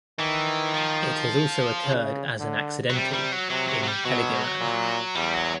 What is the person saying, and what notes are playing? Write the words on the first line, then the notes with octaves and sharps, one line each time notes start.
It has also occurred as an accidental in Heligoland.
D#3 E3
F3
C#3
D3
F#3
C3 G3
G3
F#3
C3 F#3
F#3
F#3
G3
B2 F#3
A#2
E2 G3
F#3